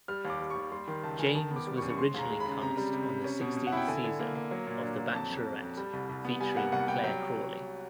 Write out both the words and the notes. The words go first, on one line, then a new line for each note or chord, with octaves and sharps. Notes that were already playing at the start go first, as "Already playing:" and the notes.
James was originally cast on the sixteenth season of "The Bachelorette" featuring Clare Crawley.
G3 F6
D#2
D6
G3
C#6
D#2
G3 C6
D#3 C6
C#2 A5
D#3 G#5
D#3 A5
B3
D6
G3
C#6
F#2
C#6
G#3 C6
D#2 A#5
G#3
B5
C#3
C3 A#5
G3
C3
C3
C#4
B2
B2
F#5
E4 G5
D3 G#5
D3
A#3
A#3
F#3
A#2
D4
F#3
F2 A5
F2
F2
F2
G3
C2
C2
B3
G3 G#5
A#3 F#5
C2 F#5
G3 G5
F#3 G5